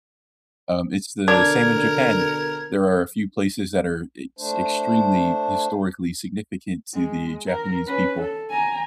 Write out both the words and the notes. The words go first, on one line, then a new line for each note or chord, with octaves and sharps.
Um, it's the same in Japan, there are a few places that are ex extremely historically significant to the Japanese people,
B2 D3 D4 A#4 G#6
A3 D4 C5
G#3
A#4
C#4 B4
A4
G#5 A#5